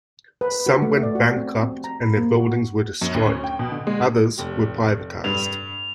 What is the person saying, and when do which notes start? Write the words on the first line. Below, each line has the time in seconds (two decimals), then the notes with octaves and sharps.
Some went bankrupt and their buildings were destroyed; others were privatized.
0.41 B4
0.66 F#4
0.82 A3
1.03 D5
1.15 F#4
1.37 C4
1.63 C4
1.84 A#5
2.03 B5
2.17 A#3
2.36 F#4
3.01 F#2
3.14 D2
3.27 C#4
3.44 G5
3.59 B2
3.72 D3
3.87 G#3
4.38 F1 G4
5.24 G2 F7